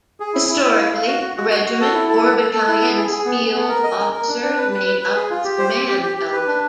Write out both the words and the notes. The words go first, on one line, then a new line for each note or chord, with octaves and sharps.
Historically, a regiment or battalion's field officers made up its command element.
G#4
E4
E4
E4
F5
F5
F#4
F#4
F#4
F#4
F#4
A4
E4
A4
A4
A4
A4
E4
B3
G#4
G#4
B3
G#4
B3
A#4
D#5
A#4
A#4
D4
D4
B4
B4
B4
B4
G#4
F4
G4
C5
G4
G4
G4
G4
B4
D4